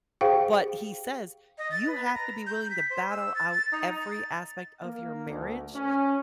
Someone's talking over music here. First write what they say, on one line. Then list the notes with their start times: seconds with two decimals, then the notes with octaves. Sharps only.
But he says, "You have to be willing to battle out every aspect of your marriage
0.21 G4 G#4 C5 F5 G5
1.58 D#5
1.72 A6
1.87 B4
2.14 A#5
2.47 G6
2.71 B6
2.90 C5
3.10 E6
3.35 A6
3.51 A6
3.72 D#4
4.00 A6
4.84 A#3
5.29 D2
5.75 C#4